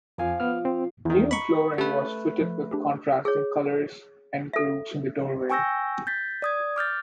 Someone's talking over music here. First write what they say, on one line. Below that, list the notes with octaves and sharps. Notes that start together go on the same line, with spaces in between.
New flooring was fitted, with contrasting colours and grooves in the doorways.
F2 F3 F5 G#5 D6
B3 F6
C4
E2 D#3 E4
D#5 A#5 B5 C#6
A3 C#4 G4 B4
F3
D4 G4 G#4
G#4 C#5
A4 E5
G5 G#5 C#6 E6 G6 A#6
G6 A6 B6
D5 D#6 G#6
D6 F6 G6 A6